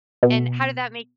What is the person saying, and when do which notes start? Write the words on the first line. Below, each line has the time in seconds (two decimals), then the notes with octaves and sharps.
And how did that make
0.23 B2